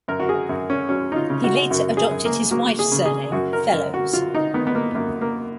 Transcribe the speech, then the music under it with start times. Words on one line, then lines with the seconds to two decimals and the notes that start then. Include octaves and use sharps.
He later adopted his wife's surname Fellowes.
0.08 F#2 A#4
0.20 F#4
0.29 G#4
0.49 F#2
0.70 C#4
0.89 F#3 C#4
1.12 D#4
1.16 F4
1.30 C#3
1.44 F#4
1.70 F#2 F#4
1.97 G#4
2.11 F#2
2.25 A#3
2.51 F#3 A#3
2.79 G#4
2.92 C#3
3.06 G#4
3.32 F#2 F#4
3.53 A#4
3.73 F#2
3.94 F#4
4.13 F#3 F4
4.34 D#4
4.54 D#3 B3
4.67 B3
4.75 A#3
4.95 F#2 A#3
5.21 A#3